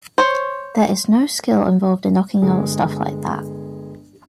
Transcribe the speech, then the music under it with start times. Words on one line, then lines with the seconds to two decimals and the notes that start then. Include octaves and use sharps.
There is no skill involved in knocking out stuff like that!
0.18 C5 C#5
2.42 G1 G#3 G#4